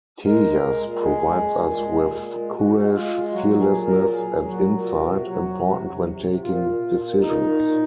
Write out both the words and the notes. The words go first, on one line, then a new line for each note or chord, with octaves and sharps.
Tejas provides us with courage, fearlessness and insight, important when taking decisions.
G#3 A#4
G#3
G#3
A#2
G#3 G#4
G#3
G#3
A#2
G#3
A#2
A#2
G#3
G#3 F#4
G#3
G#3 F4
G#3
F#3 F#4
A#2
G#4
A#2
A#4
F#3
F#3 G#4
F#3
A#2 F#4
A#2
C3
C3
F#3
F#3
C3
F#3
C3
C3
A#2 F4
A#2
A#2
A#2
A#2 D#4
A#2
A#2